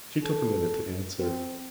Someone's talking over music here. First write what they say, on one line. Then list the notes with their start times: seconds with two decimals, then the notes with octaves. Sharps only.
She took a minute to answer.
0.22 A4
1.20 C4